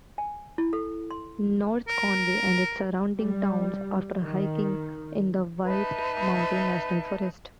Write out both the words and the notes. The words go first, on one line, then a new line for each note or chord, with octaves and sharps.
North Conway and its surrounding towns offer hiking in the White Mountain National Forest.
G#5
E4
A4
C6
A#4
G3
D#3
D#4 B4 E5 A5